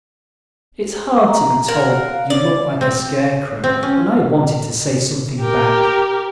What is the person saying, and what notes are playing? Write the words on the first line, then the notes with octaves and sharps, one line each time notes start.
It's hard to be told you look like a scarecrow and I wanted to say something back.
A#5
A#4 F5 F#5
C#5 D5
C4
C4
C#4
G4 A#4